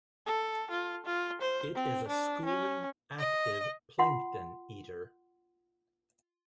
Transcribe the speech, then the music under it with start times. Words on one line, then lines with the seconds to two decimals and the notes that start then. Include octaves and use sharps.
It is a schooling, active, plankton eater.
0.26 A4
0.71 F4
1.06 F4
1.41 C5
1.75 C4
2.08 D4
2.45 C#4
3.19 D#5
3.99 F4 F#5 C6